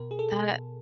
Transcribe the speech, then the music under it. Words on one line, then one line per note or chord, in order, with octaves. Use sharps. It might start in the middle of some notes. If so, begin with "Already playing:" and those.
That it
Already playing: B2 A#4
G#4
A4
B2